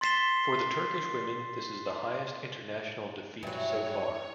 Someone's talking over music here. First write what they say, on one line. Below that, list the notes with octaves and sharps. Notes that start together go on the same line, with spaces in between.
For the Turkish women this is the highest international defeat so far.
C6 A6 B6 C7 E7 G7
G2 E3 F#3 C#5